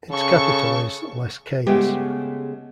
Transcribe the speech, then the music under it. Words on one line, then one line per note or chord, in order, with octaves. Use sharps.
Its capital is Les Cayes.
C#3 A4 C#6
C#3 G#3 A3 B3 G4 G5